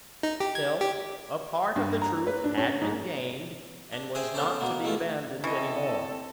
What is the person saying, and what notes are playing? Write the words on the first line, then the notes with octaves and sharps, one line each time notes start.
Still, a part of the truth had been gained, and was not to be abandoned any more.
D#4
G4
G#6
G4
G2
A#5
B4
D4
C#4
G#2
D4
G#4 C5 E5 G5 G#5
B3 C#4 A4 C5 D5
B2 A#3 B3
G#3 A3 E4 F4
E3 C4 A4 D#5 C#6